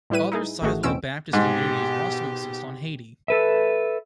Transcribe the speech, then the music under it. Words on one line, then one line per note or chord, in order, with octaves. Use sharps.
Other sizable Baptist communities also exist on Haiti.
A2 G3 E4 B4 D#7
D#4 E4 G#4
A1 D#3 A3 F#4 G#4
E2 B2 C4 C#4 E6 D7
G#2 B2 G4
A4 B4 E5